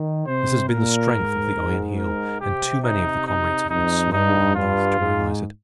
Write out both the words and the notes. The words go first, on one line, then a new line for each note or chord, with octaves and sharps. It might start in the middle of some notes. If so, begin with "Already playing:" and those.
This has been the strength of the Iron Heel, and too many of the comrades have been slow or loath to realize it.
Already playing: D#3
C3 C5
A#2 A#4
G#2
G#2
A#4
C3 G4
D#4
D#4
F2 D#4
G2 D#4
G2 F4
G#2